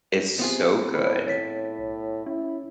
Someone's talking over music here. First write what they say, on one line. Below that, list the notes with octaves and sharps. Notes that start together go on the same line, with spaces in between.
is so good,
C3 B3 C4 F4 G#4
A2 C5 C#5 B5
C#5 A6 B6
B1
C#4 E4